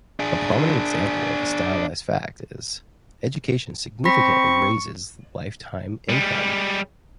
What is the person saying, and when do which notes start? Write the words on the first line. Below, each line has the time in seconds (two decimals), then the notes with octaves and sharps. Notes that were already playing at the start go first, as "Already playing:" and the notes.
A prominent example of a stylized fact is: Education significantly raises lifetime income.
0.20 D4 G#4
4.05 C4 B5 C#6 A#6 B6
6.09 G3 G#3